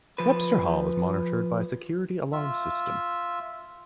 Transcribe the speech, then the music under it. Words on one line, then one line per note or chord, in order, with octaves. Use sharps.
Webster Hall is monitored by a security alarm system.
F3 B4
F4 E5